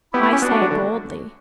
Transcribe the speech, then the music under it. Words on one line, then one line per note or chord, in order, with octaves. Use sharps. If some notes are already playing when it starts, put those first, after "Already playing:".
I say boldly.
B3 E4 G4
B3
C#4
B3 D4 F#4
A3
F#3
D3